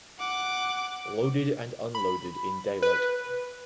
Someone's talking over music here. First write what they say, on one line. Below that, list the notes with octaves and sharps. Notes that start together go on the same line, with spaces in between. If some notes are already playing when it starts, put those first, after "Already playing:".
Loaded and Unloaded in Daylight.
F#5 D6
B5
B4